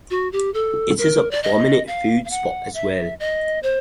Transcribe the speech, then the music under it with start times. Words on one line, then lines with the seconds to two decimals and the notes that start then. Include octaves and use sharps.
It is a prominent food spot as well.
0.11 F#4
0.32 G4
0.54 A4
0.98 A#4
1.31 D5
1.43 D#5
1.87 F5
2.25 F5
2.30 F#5
2.74 E5
3.20 D#5
3.63 C5